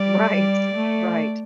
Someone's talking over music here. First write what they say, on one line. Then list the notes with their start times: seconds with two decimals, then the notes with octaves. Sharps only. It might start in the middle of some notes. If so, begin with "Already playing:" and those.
Right. Right.
Already playing: G3 D5
0.29 G3
0.75 A3